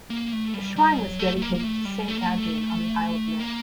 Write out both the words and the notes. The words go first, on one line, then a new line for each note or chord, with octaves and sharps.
A shrine was dedicated to Saint Adrian on the Isle of May.
A#3
A3
G3
G3
F#3
A3
A3
A#3
A#3
A3
G3
A3
A#3
A3
A#3